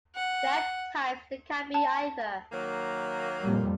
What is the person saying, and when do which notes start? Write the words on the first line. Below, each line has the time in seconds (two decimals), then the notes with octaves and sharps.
There are types that can be either.
0.15 F#5
1.74 A5
2.51 D#3 F#3 A#3
3.44 F2 A#2 G3